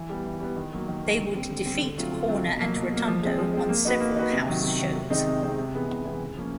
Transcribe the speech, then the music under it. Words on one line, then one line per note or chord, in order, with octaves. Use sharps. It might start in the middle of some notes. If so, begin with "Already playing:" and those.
They would defeat Horner and Rotundo on several house shows.
Already playing: E3
G3 B3
E3
G3 B3
D#3
F#3 A#3
D#3
F#3 A#3
D3
G3 C4
D3
G3 C4
D3
F#3 A3 C4 F4
D3
F#3 A3 C4 F4
B2
F#3 A#3
B2
F#3 A#3
F3
G#3 C4
F3
G#3 C4
A#3
D#4 F#4 B4
A#3
D#4 F#4 B4
C3
D#3 F#3
C3
D#3 F#3
C3
D#3 G#3 C4 D#4
C3
D#3 G#3 C4 D#4
C3
E3 G#3 B3
C3
E3 G#3 B3
C#3
F3 A#3 C#4